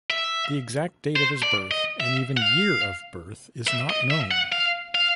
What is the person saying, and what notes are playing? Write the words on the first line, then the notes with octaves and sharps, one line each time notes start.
The exact date of his birth and even year of birth is not known.
E5
C5
D5
D#5
E5
F#5
F5
E5
D#5
E5
F#5
F5
F5